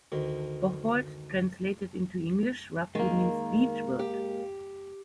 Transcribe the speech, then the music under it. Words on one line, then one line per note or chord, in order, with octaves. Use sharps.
Bocholt translated into English roughly means "beechwood".
D2 D#3
D#3 G#3 A#3
G4